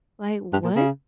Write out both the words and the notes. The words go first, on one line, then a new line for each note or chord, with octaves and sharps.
like, what?"
G2
A#2
C#3